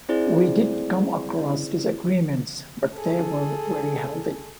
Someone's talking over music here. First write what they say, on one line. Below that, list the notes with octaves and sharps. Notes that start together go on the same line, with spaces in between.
We did come across disagreements, but they were very healthy.
C4 E4 G#4 C5 D5
G#4 A4